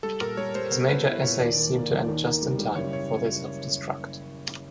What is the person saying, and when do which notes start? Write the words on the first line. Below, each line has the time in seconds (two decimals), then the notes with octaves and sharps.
"His major essays seem to end just in time, before they self-destruct".
0.03 G3 A4
0.20 A#2 A#4
0.37 G3 C#5
0.55 G3 C5
0.72 B3 C5
0.89 B3 B4
1.06 E4
1.22 A#2 C#5
1.40 D#2 D5
1.57 D#3
1.74 A#3
1.90 D#2
2.08 D#3
2.25 A#3
2.42 G3
2.59 G3
2.75 F#1 C#5
2.93 C#5